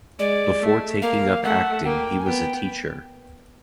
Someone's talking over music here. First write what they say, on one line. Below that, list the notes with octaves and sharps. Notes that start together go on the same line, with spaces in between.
Before taking up acting he was a teacher.
G#3 D5
A3
A#3 F5
A3 F#5
A#3 G5
G#5
B3 G5